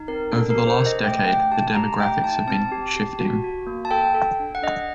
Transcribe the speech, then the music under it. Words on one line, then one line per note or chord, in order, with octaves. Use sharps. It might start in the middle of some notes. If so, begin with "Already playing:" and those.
Over the last decade, the demographics have been shifting.
Already playing: D#4
C4 A#4
D4 A4
A#4
G4
C5
D4
D#5
A3 G5
A3 G5
G4 A5
G4 A#5
A3 G5
D#4 A5
C4 A5
G4
G4
F#4
F#4
A#3
A5
A4 G5
A4
D4
F#5
D4 D#5